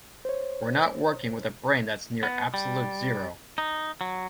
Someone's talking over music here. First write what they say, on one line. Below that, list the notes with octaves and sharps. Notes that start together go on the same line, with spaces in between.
'We're not working with a brain that's near absolute zero.
C5 C#5
B3
G3
D#4
F#3